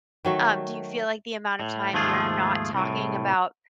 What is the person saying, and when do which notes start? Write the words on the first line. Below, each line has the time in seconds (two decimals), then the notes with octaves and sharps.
Um, do you feel like the amount of time you're not talking about
0.25 D#3 F#3 A3
1.60 A2
1.93 D#2 G#2 F3 A3 F4 G#4
2.73 C2 A2